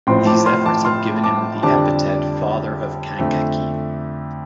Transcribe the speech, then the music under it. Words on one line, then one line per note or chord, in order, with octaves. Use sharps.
These efforts have given him the epithet Father of Kankakee.
A1 A2 F3 C4 G5 C6
A5 D6
C6 F6
A5 D6
C6 F6
A5 D6
F2 D3 G3 D4 A5 D6
F2 D3 A3